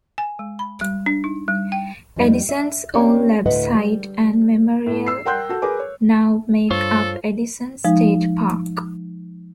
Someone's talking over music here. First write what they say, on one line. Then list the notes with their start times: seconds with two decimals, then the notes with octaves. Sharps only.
Edison's old lab site and memorial now make up Edison State Park.
0.18 G#5
0.39 G#3
0.59 B5
0.81 G3
1.06 D4
1.24 D#4
1.48 G3
1.72 G5
2.16 F2 G3 D#4
2.49 E5
2.94 C4 C#4 D#4 G4 C#5 D5
3.46 D2 A2 B4 D#5 E5 F#5
3.75 G3
4.86 A2 A3
5.07 E6 C7
5.25 A#4 F#5 G5 C6 F#6 G6
5.49 F#4 A4
5.62 G#4 A#4 B4 G#5 D6
5.79 C#5
6.71 G2 F4 A4 C5 C#5
7.85 F3 G#3 D#4